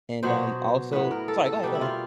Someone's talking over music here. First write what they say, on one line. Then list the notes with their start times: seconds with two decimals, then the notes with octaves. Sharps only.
and, um, also sorry, go ahead, go ahead.
0.23 B2 F#3 B3 C5
0.93 A2 F#3 B3 B4
1.11 A#4
1.28 A4
1.46 A4
1.63 B2 G3 A#3 G4
1.75 E4
1.81 F4